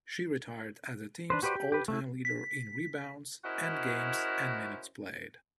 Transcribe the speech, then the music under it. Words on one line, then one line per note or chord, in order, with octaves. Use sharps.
She retired as the team's all-time leader in rebounds, and games and minutes played.
D4 B4 C5
F#4 G4 B4 C5 D5
G4
G4 B4
A3 E4
B6
C#4 E4 F#4 A#4 C5 D#5